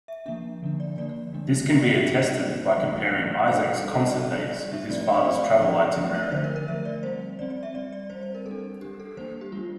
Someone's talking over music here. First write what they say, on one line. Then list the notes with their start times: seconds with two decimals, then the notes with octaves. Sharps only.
This can be attested by comparing Isaac's concert dates with his father's travel itinerary.
0.08 E5
0.26 F3 A#3 D4 E5
0.62 D3 F3 A#3 D4
0.80 D5
0.97 D3 F3 A#3 D4 D5
1.33 D3 G3 A#3 D4
1.68 D3 G3 A#3 D4 E5
1.81 D5
1.93 E5
2.04 D4 E5
2.07 G3 A#3
2.17 C5
2.22 D5
2.40 G3 A#3 D4 D5
2.51 D5
2.63 C5
2.76 E3 A3 D4
3.11 E3 A3 D4
3.48 G3 D4 C5
3.82 G3 D4 A4
3.94 C5
4.07 D5
4.18 G3 D4 E5
4.53 G3 D4 D5
4.72 E5
4.90 F3 A3 C4 D5
5.01 D5
5.14 C5
5.25 F3 A3 C4 D5
5.43 E5
5.61 F3 A3 D4 D5
5.96 F3 A3 D4
6.15 E5
6.23 D5
6.32 D3 F3 A3 C5
6.44 A#4
6.56 A#4
6.67 D3 F3 A3 E5
6.85 D5
7.03 G3 C4 C5
7.39 G3 C4 D5
7.50 D5
7.63 E5
7.74 G3 C4 D5
7.92 D5
8.10 G3 C4 C5
8.23 C5
8.35 A#4
8.45 G3 A4
8.51 D4
8.81 G3 D4 G4
9.00 A4
9.17 G3 A#3 D4 C5
9.41 G4
9.52 G3 A#3 D4 F4